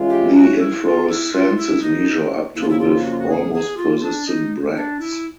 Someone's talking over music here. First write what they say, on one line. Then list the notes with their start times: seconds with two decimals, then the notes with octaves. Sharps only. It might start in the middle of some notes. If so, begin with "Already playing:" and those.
The inflorescences measure up to with almost persistent bracts.
Already playing: E3 G#3 C#4 F4
0.10 G4
0.35 F#4
0.59 E4
0.84 F4
1.09 E4
1.33 F4
1.57 E4
1.82 D#4
2.55 F2 C#3 F3 A#3 E4
2.62 F4
2.69 E4
2.80 F4
3.04 F#4
3.11 F4
3.19 F#4
3.28 G#4
3.53 G#4
3.77 F4
4.02 D4
4.26 D#4
4.76 D4
5.00 E4